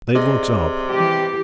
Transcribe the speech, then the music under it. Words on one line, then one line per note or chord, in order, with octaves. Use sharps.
They looked up.
C3 G#4 D5 D#5
E3 G4